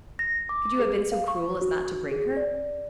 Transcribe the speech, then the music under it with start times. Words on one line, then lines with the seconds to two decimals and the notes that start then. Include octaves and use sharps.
"Could you have been so cruel as not to bring her?"
0.19 A#6
0.49 D6
0.79 G#4
1.12 F5
1.28 C#6
1.62 F#4
2.11 G#4
2.37 D5